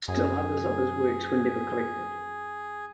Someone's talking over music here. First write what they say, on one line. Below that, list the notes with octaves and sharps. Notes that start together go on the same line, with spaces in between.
Still others of his works were never collected.
F#2 G#4